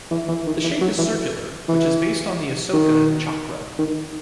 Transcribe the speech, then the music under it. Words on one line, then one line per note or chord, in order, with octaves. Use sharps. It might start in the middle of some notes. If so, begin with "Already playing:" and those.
The shape is circular, which is based on the Ashoka Chakra.
E3
E3
D#3
E3
F#3
E3
E3
D#3
D#3